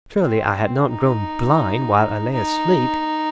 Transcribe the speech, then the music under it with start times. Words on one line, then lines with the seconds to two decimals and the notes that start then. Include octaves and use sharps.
Surely I had not grown blind while I lay asleep.
0.20 C4
0.91 D#4
2.34 D#4